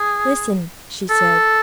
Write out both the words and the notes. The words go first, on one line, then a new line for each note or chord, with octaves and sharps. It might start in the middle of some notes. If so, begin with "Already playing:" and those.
"Listen," she said.
Already playing: G#4
A4